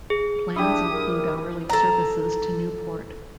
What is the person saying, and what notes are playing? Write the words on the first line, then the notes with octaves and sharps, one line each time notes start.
Plans include hourly services to Newport.
G#4
D4 E4 G4 D#6
A#4
A4 A#5